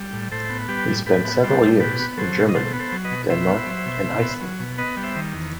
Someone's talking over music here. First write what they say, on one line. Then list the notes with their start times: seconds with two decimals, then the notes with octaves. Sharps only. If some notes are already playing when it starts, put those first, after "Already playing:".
He spent several years in Germany, Denmark and Iceland.
Already playing: G3
0.13 A2
0.31 A2 A4 C5
0.50 B3
0.68 G3 G4 B4
0.88 A2
1.06 A2 G4 B4
1.25 B3
1.43 G3 A4 C5
1.62 A2
1.80 B2 G4 B4
1.99 B3
2.17 F#3 A4 C5
2.37 B2
2.49 D#5
2.55 B2 A4 C5
2.74 B3
2.79 A4 C5
2.92 F#3
3.05 B4 D#5
3.11 B2
3.29 B2 C5 E5
3.48 B3
3.66 F#3
3.86 B2
4.04 B2
4.22 B3
4.41 F#3
4.60 B2
4.78 B3 B4 D#5
4.97 G3
5.03 C5 E5
5.16 D#3
5.34 E2